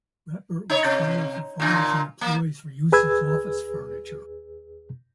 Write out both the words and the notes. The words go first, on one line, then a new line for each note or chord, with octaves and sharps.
Ratbert was fired for varnishing employees for use as office furniture.
D#4 C#5
C3
A#2 D3
A#3
D#2 G#4 B4 E6 G#6